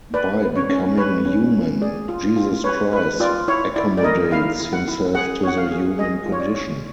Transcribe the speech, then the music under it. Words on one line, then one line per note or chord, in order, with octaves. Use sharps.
By becoming human, Jesus Christ accommodates himself to the human condition.
B4 D5
B4
C#5
C#4
B4 C#5
C#4
C#4
G#4 D5
F4
F4
B4 C#5
B4
F4 D5
E4 C#5
E4 D5
D5
A#4 D#5
E4 F5
E4
F#5
E4
G#4 F#5
C#5 F#5
F5
G#4
G#4 D#5
F4
C#5
D5
C#5